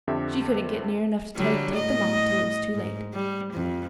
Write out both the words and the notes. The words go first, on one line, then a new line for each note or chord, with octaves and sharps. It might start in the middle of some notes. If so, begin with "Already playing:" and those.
She couldn't get near enough to tell you to take them off till it was too late.
F2 D3 G4 E5
D3 F#3 G3
A2 D#5
G#2
G3
F2